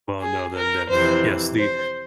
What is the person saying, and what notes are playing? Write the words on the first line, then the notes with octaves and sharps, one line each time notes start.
Well, no, then then Yes, the
G#4
A#4
F2 C3 E3 C5
C5